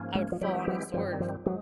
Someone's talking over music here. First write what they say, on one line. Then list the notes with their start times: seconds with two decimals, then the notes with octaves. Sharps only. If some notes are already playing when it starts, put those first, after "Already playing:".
I would fall on a sword f
Already playing: G#2 F3 A#3 C#4
0.15 G#3
0.32 F3
0.41 E3 F#3 G#3 C4 E4 G4
0.67 F#3
0.94 G2 D#3 F3 G3 C4
1.20 F3
1.46 F#3 G#3